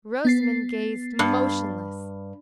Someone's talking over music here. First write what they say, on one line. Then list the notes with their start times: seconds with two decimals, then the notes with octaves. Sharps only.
Rosamond gazed motionless.
0.25 B3 A6 C7
1.19 G2